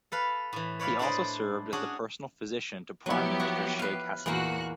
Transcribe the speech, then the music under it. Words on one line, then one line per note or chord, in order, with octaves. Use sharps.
He also served as the personal physician to Prime Minister Sheikh Hasina.
A4 B4 F5
A2 E3
B4 C#5 D5 F5 B5
D4 E4 A4 C5 D5 D#5
C#4 D4 F#4 G#4
F3 F#3 B3 E4 G4
F#4
B4 F5
E2 A#2 A#3 F#4 F#6